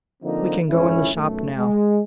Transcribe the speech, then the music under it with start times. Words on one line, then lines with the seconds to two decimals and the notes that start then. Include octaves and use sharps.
"We can go in the shop, now."
0.23 D3 F3 A#3 C4 D#4
0.69 G#1 F2 C#4 E4
1.16 B1 F#2 A3
1.56 G#3